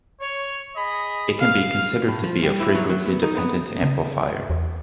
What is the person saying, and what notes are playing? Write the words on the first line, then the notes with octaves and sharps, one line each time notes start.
It can be considered to be a frequency-dependent amplifier.
C#5
G#4 D#5 B5
F5
A2
F3
G3
E4
F#3
F#3
B3
D#4
B3
C#3
E2